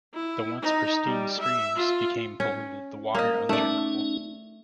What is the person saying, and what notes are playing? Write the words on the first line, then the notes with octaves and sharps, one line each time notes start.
The once pristine streams became polluted, the water undrinkable.
E4
D#4
G3
E5
F4
C#4
A#3 D#5
A3 C#4 D#4 D5